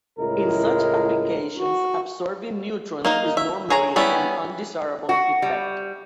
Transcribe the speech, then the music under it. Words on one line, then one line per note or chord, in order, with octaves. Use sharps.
In such applications, absorbing neutrons is normally an undesirable effect.
C#2 A2 G#3 E4 A#4
F#4
A#3 D#4 A#4
E5
G#4 C#5 A#5
G3 B3 C#4 E4
F#4
G3